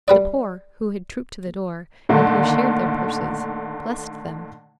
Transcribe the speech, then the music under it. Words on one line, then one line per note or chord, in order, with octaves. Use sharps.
The poor, who had trooped to the door, and who shared their purses, blessed them.
G3 B4 D5
A#2 D3 D#3 A3 A#3